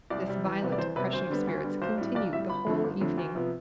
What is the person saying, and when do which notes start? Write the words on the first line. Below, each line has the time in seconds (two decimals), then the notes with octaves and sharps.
This violent oppression of spirits continued the whole evening.
0.10 C2 D5
0.27 C3 G3
0.45 E2
0.62 C3 G3 B3
0.72 D5
0.78 E2 C5
0.96 C3 G3 B3 B4
1.13 D2 C5
1.30 D3 G3 B3
1.47 D2
1.64 D3 G3 B3
1.82 B1 C5
1.98 A2 G3
2.15 B1 D5
2.33 A2 G3 E5
2.49 G1 B5
2.67 F2 D3 A3
2.84 G1
3.00 F2 D3 A3
3.18 D2
3.35 C3 F3 B3